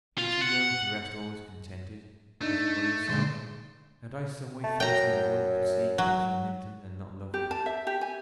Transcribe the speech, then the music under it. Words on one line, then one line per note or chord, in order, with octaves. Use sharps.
You're too young to rest always contented, living by yourself; and I some way fancy no one could see Catherine Linton and not love her.
F4
F#5
A3 D4 D#4
A#2 D3 G#3 C#4 C6
A3
F#2 G5 A#5
F#3
G4
A5
E5
G4
G#5